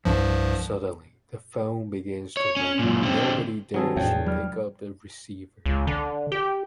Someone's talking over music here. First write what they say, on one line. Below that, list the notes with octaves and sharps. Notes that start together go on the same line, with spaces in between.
Suddenly, the phone begins to ring, but nobody dares to pick up the receiver.
C2 G2 F3
C#5
C#4
F#2 A#2
D3 C4
D#3 F#3 C4 F#4 G#4 A4
E2 A2 D4 C#5 G5
F#3 G3 F6
C#2
D3
G4